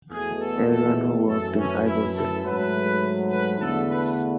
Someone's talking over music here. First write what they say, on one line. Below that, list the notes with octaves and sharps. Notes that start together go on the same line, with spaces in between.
Everyone who walked in, I got them.
E2 B2 A3 G#4
A4
A4
F#2 E3 A3 A4
C#4
E4
A4
G#2 F#3 A3 B4
B4
E2 D3 A3 A4
B4